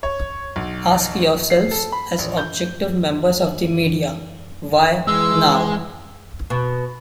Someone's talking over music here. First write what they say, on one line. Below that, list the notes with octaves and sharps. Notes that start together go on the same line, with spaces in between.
Ask yourselves, as objective members of the media: 'Why now...?
C#5
B1
C7
A4
B5
A#1
G6
E3 G#3 E6
B2